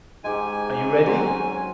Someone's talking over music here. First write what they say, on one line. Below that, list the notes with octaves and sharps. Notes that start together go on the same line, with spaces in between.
"Are you ready?"
G#2 G#3 G4 G#5
F#3 C4 C#4